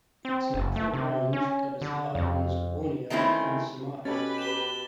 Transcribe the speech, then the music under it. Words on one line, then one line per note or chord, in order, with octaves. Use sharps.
Its natural range covers the islands Borneo and Sumatra.
C4
F#1
A3
C3
C#4
D3
F2
D#3 A3 C4 C#4 E4
B2 C#4 G4 A4 B4 B5 A6
E7 G7